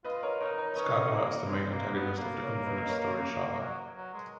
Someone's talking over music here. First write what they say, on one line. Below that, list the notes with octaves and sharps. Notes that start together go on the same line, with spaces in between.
Skagra is the main antagonist of the unfinished story "Shada".
F4 B4 D#5
A#4 C#5
D#4 A#4 C#5
A#4 C#5
C#4 B4 D#5
A#3
G#3
A#3
B3
A#3
A#4 C#5
B4 D#5
A#4 C#5
F#3
F#3
G#3